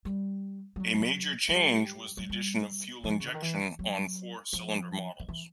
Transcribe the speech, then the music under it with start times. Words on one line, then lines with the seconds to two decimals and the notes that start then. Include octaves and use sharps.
A major change was the addition of fuel injection on four-cylinder models.
0.05 G3
0.76 G3
0.80 F#3
1.48 F#3
1.55 G3
2.17 F#3
2.30 G3
3.04 F3
3.20 C#3
3.27 D3
3.34 D#3
3.42 E3
3.79 F#3
4.53 F3
5.20 F3
5.28 E3